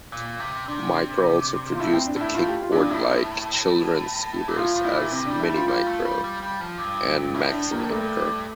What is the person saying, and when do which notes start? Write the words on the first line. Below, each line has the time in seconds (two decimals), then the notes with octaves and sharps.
Micro also produced the Kickboard-like children's scooters as "Mini Micro" and "Maxi Micro".
0.12 A#2
0.40 C3
0.68 C3 D4
1.73 F4
1.79 A2 E4
1.94 C4
2.07 D4
2.16 A2 E4
2.34 A2 F4
2.48 G4
2.62 F4
2.72 G2 D4
2.90 A2 E4
4.48 A#2
4.57 A2 F4
4.76 A2
4.84 E4
4.94 A#2
5.12 C3 C4
5.26 G3 D4
5.39 A3 E4
5.49 G3
5.54 F4
5.67 G3 F4
5.87 A3
6.05 G3
6.24 G3
6.42 G3
6.61 F3
6.78 G2
7.34 A2 E4
7.53 D4
7.71 A#3
7.90 G2 A3